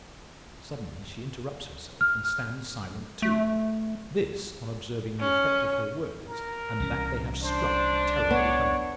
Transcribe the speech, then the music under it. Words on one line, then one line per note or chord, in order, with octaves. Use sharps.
Suddenly she interrupts herself, and stands silent too--this on observing the effect of her words, and that they have struck terribly home.
F6
A3
C#4
A#4
C2 E3 C#4
D4 C5
B3 C#5